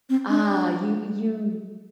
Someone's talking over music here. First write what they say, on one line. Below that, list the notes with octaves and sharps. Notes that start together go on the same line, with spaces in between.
Ah, you you
C4
D4